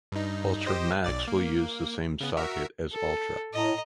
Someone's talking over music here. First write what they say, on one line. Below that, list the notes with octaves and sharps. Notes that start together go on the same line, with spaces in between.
Altra Max will use the same socket as Altra.
G2 D#4
G4 C5 D#5
B1 D5 A6
A#3
C#3 B3
F#4 A#4 E5
A4
A2 D#5 A#5